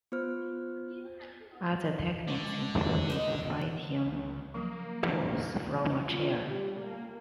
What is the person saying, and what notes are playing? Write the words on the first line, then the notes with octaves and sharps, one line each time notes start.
Other techniques included fighting bulls from a chair.
B3 F4 C5 F6
D3 G#3
D#4 D#5 F#5
C#2
F3 F#3 A#3
F4
G3
A#3